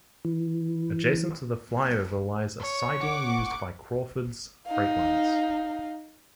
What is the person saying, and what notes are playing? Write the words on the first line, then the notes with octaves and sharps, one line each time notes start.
Adjacent to the flyover lies a siding used by Crawfords Freightlines.
E3
C#5
F#5 C#6 D6
D#4 F5